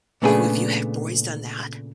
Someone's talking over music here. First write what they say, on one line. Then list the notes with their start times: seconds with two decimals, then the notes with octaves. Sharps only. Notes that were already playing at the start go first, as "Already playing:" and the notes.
Oh, have you had boys done that?
0.22 A#2 C#3 A3 B3 D4 G#4